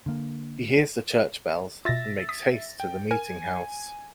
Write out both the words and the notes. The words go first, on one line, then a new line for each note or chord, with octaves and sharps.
He hears the church bells and makes haste to the meeting house.
D3 A#3
B2 F4 E5 A6 A#6
D#6 B6
G5
A#4 G#5